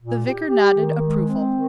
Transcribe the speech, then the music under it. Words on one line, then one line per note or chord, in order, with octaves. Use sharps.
The vicar nodded approval.
A#2
G4
G4
D#3
G#3
C4
D#3